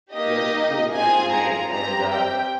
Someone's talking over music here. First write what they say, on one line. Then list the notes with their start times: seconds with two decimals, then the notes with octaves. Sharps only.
Yes. It's really good for me, and, uh,
0.13 A#3 D#4 G4 D#5
0.92 C4 F4 G#4 G#5
1.32 A#5
1.71 C4 G4 A#5
2.11 G5